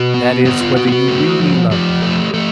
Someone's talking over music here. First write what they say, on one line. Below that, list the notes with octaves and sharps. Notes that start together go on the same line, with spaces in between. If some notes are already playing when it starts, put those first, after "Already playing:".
"That is, whether you really love me?"
Already playing: B2 F#4
B3
B3 G4
F4
B3 F#4
F4
F#4
A3
F3
F3 G4
A3
A3